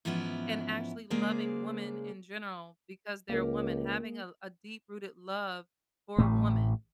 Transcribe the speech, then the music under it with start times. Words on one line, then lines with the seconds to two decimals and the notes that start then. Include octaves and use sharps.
and actually loving women in general because they're women, having a a deep rooted love for woman,
0.05 G#2 E3 F3 B3 C#4 E4
1.10 C#3 G#3 A#3 G#4 C5 D5
3.30 C#2 A#3 G4 A#4
6.18 A1 A2 C3 A3